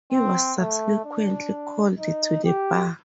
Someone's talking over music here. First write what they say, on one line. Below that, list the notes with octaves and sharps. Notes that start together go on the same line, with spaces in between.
He was subsequently called to the bar.
C4
A3
D4
D#4
G4